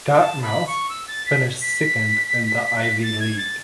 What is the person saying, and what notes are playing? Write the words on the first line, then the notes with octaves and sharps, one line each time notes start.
Dartmouth finished second in the Ivy League.
A5
B5
C#6
E6
A6
B6
B6
A6
G#6
A6